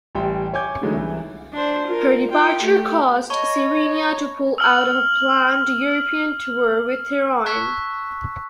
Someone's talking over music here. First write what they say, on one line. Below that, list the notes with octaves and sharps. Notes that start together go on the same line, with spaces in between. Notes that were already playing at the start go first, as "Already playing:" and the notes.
Her departure caused "Sirenia" to pull out of a planned European tour with "Therion".
A1 G3 G5 C6
C#5 G#5 D6 G6
D3 E3 F#3 G#3 A3 D#4
C2 E3
D4 C5
F4 A#4
F4 G5
A3 G4
C#5 D#5 A5 B5 C#6
E6 F6 F#7
A5 C#6 E6 F#6 G#6 B6